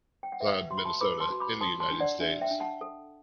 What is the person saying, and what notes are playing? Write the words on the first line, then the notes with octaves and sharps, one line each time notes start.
Cloud, Minnesota, in the United States.
G5
F#5
B4 E5
F#4 C6
B5
A5 C6
B4 B5 D6
A5 C6
F#4
B5 D6
A4 A5 C6
A5 C6
D4
D5 F#5
D4 E5
E5 G5
D4
F#5 A5
A4